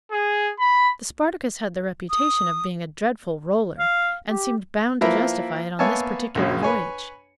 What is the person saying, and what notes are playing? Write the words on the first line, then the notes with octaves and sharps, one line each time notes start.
The "Spartacus" had the reputation of being a dreadful "roller," and seemed bound to justify it on this particular voyage.
G#4
B5
D#6
F5
G4
F3 A#3 E4 A#4 B4 E5
A#3 B3 C#5 E5 G#5 A5
A#1 F#2 C#3
B4 C#5 G#5